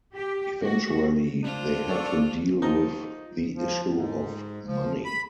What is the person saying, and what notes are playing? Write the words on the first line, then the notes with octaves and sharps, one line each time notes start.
Eventually, they had to deal with the issue of money.
G4
F#4
D4 F4 C5
A4 D5 C#6
F3 D#4
F3
G#2
F3
B5